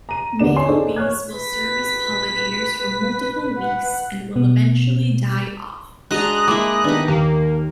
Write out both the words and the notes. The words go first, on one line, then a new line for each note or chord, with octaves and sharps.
Male bees will serve as pollinators for multiple weeks and will eventually die off.
A#5 D#7
D#2 D3 B3 D4 E7
C#5 G#5 C6
D4 D#4 G#4 A4 C5
C#5 F6 F#6 G#6
B4 B6
F#5
B2 B3
G#3 D4 F#4 D#5 A#5 F#6
G#3 A#3 E4 D6
D#3 B3 D4 G4
D#2 A#3